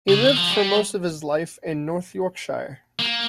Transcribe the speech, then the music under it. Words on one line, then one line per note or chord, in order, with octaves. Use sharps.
He lived for most of his life in North Yorkshire.
C#3
D#3
F3
G3
A#3